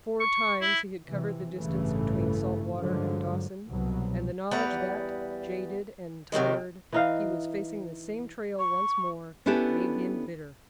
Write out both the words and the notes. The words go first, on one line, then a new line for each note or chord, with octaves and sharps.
Four times he had covered the distance between Salt Water and Dawson, and the knowledge that, jaded and tired, he was facing the same trail once more, made him bitter.
C#6
E4
C3 E3
A1 G2 C#3 E3 A3
G2 D3 F3 F#3 G#3
C2 B2 F#3
E2 G3 B4 F#5 A#5
C3 D#3 F#3 G#3
E3 D#4 F5
C#6
B3 C#4 D4 E4 G4 A4